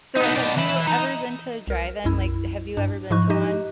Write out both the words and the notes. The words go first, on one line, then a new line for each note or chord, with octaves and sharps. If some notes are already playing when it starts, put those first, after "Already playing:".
So have you ever been to a drive-in, like, have you ever been to one?
B3 D#4
B2 D5
E3 B5
D#4
C2 A#4
B1 F#2 E4
G2 D4
G#2 F3 E4 D#5 C#6 F#6
D#4 G4 D#5